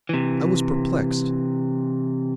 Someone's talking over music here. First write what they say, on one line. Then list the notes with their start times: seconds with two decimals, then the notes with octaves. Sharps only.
I was perplexed.
0.09 C3 E3